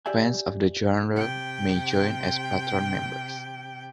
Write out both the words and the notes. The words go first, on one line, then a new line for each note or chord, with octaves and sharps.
Fans of the genre may join as patron members.
G4 D5 E5 G#5
C3 G5